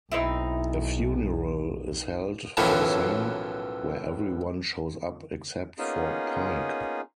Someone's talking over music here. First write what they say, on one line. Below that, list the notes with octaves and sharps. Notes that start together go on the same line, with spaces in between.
A funeral is held for Sam, where everyone shows up except for Pike.
B1 C4 D#4 E4
B1 F#2 A2 E3 F3
A#3 B3 C#4 D#4 F4 G#4